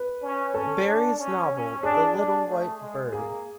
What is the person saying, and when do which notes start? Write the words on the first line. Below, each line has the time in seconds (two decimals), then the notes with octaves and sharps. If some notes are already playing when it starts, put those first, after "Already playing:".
Barrie's novel "The Little White Bird".
Already playing: B4
0.22 C#4
0.54 C#4 A4
0.86 D4
1.19 C#4
1.51 C#4
1.83 D4 G#4
2.16 D4
2.48 A3
2.80 G#3
3.13 A#3 G#4